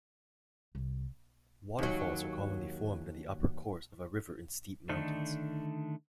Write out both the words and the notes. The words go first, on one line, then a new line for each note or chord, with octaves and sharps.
Waterfalls are commonly formed in the upper course of a river in steep mountains.
C2
D#2 F#3
D3 D#3 A3 D4 D#4